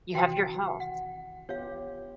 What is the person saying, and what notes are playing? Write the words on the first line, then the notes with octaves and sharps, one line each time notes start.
You have your health.
C3 D#3 E3 F#4 G5
F#5
B3 F4 G4 C#5 F5